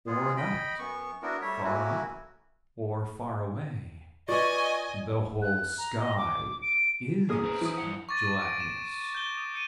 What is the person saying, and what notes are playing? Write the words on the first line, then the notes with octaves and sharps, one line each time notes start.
Or that, far up, or far away, the whole sky is gelatinous?
G#3 B3 F4 G#4
D#5 G5 B5
F#2 B3 C#6
B3 D4 E4 F#4 A#4
G3 A3 C#5 E5
F#3 A3 A#3 C#4 E4 F#4
F4 B4 D5 D#5 G#5 C#6
F#6
A#5
D#5
D6
D7
A#3 C#4 G#4 A#4 D#6
B4 C5 A#5
E3 D#6
G2 F3 F#5
C#6 D6 A6 A#6 D#7
D6 A6 A#6 D7
E7
G6 G7
D#6
G6 C#7 D#7 E7